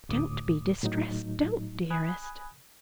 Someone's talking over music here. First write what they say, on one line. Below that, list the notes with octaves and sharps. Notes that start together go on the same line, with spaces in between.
"Don't be distressed; don't, dearest!"
D2 A2 D6 D#6
A2 F#3 D#4
G#5 B5 D#6 F#6 G#6